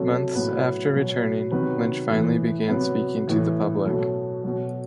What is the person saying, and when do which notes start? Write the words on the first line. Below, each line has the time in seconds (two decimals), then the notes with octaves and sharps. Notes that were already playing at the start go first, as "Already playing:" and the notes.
Months after returning, Lynch finally began speaking to the public.
Already playing: C3 F#3 A3 A4
0.35 A2 F#3 B3 B4
0.94 B2 F#3
1.51 C3 D#3 F#3 B3 B4
2.10 A2 E3
2.68 C3 F#3 B3 B4
3.27 A2 E3
3.86 B2 F#3 A3 A4
4.44 B2 F#3